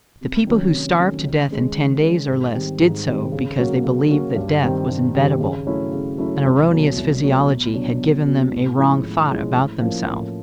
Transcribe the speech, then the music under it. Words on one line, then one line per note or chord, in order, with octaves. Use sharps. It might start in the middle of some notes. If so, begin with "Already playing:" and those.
The people who starved to death in ten days or less did so because they believed that death was inevitable; an erroneous physiology had given them a wrong thought about themselves.
C3
D#3 F#3 A3 C#4
C3
D#3 F#3 A3 C#4
D#3
G#3 C#4
D#3
G#3 C#4
G#2
D#3 G3 C4
G#2
D#3 G3 C4
C#3
F#3 A#3 C#4 F#4
C#3
F#3 A#3 C#4 F#4
G2
D#3 G3 C4
G2
D#3 G3 C4
C#3
F#3 A3 C#4 E4
C#3
F#3 A3 C#4 E4
C2
B2 F#3 A3
C2
B2 F#3 A3
B2
F#3 B3 D4 F#4
B2
F#3 B3 D4 F#4
A2
F3 G#3 C#4 E4
A2
F3 G#3 C#4 E4
A2
F3 A#3 C#4 E4
A2